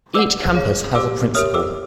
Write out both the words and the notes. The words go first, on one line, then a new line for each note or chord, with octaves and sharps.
Each campus has a Principal.
B4 D5 F#5 D6 E6
G#4 C#5 F5
G4 C5 F5 D6 E6
G4 A#4 C#5 E5 D#6 F6
D6 E6